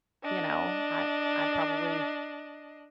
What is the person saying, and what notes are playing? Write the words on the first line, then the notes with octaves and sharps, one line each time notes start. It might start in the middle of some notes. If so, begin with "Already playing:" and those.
You know? I I probably
D4 D#5